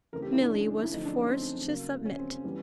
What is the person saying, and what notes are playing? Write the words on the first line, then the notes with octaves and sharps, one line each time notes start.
Milly was forced to submit.
C#3 E3 A3 C4 A#4
G4
E4
D4
C#4
E4
D3 F3 A3 C4 D#4
D4
C#4
C4
C#3 F#3 A#3
C#4
C4
C#4
E3 G3 B3